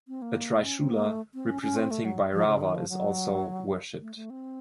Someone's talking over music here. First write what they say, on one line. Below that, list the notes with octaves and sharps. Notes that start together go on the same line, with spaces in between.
A trishula representing Bhairava is also worshipped.
C4
A#3
C#4
C4
A#3
A3
C4
C#4
C#4
C4
A3
F#3
F3
C#3
D#3
F3
F#3
A3
A3
C4